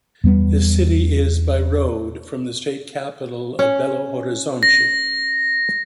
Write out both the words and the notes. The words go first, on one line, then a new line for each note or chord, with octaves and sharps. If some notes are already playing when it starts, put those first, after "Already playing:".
The city is by road from the state capital of Belo Horizonte.
E2 G3 B3
C#4
A#6